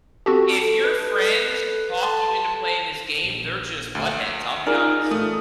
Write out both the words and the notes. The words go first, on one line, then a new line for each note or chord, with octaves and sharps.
If your friends talk you into playing this game, they're just buttheads. I'll be honest.
C4 F#4 G4 A4
B4
A5 C6
A#1
D2
D#4 F4 G#4 A#4 D5
A1 A3 D#6